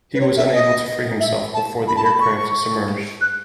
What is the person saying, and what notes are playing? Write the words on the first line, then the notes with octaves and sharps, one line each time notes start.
He was unable to free himself before the aircraft submerged.
B4
C#5
E5
D#5
E5
A5
B5
A5
B5
C#6
F#6